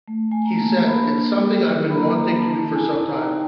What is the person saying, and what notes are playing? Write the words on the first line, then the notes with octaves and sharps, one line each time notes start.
He said, It's something I've been wanting to do for sometime...
A3
A3 G#5
A#5
A#3 A5
A#5
A#3
B5
D4
A#3
F#3
E4
B5
A#3 A#5
A#5
A#3
B5
A5
E4 A#5
A5
E4
G#5
D#4 A5
A#5
D#4
G5